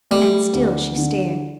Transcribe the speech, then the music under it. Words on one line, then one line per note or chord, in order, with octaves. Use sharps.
And still she stared.
G3 A3
D2
D3